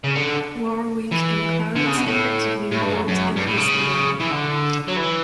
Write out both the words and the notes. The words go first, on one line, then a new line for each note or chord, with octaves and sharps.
Warwick and Clarence effectively ruled in his name.
C#3
D3
E3
D3
C#3
B2
A2
A2
G2
F#2
F#2
G2
A2
C#3
E3
D3
F#3
E3